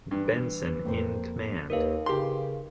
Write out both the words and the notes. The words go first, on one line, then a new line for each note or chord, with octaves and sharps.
Benson in command.
G2 E3
F2 A#3 C5
D#2 D#4 A#4 B4 F5
C#3 G4 C6